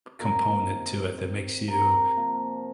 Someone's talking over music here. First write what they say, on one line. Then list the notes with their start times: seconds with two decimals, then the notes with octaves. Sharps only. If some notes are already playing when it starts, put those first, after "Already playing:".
component to it that makes you
0.19 C3 D#3 A#3 A#4
1.68 A#4
2.17 C3 F3 A#3